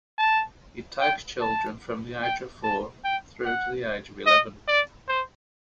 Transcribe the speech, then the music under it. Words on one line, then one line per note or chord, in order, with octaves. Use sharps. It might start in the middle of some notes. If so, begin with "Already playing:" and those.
It takes children from the age of four through to the age of eleven.
A5
G5
A5
G5
A5
G5
F#5
D#5
D5
C5